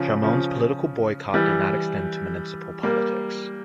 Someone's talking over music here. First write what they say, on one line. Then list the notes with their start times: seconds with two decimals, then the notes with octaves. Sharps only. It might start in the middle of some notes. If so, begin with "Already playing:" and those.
Chamoun's political boycott did not extend to municipal politics.
Already playing: C#3 F3
0.23 C#3 F3
1.34 E3 G3
2.83 G3 A#3